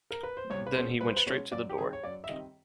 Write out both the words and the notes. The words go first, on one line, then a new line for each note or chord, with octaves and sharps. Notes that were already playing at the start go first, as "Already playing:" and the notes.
Then he went straight to the door.
A#4
B4
C5
C2 C#5
B4
B2 G#3 C#4 C5
C2 B4
C5
B4
B2 G#3 C#4 C#5
F#2 D5
G4
D#3 G3 C4 G#4
C#5
F#2 D5
E5
D#3 G3 C4 D#5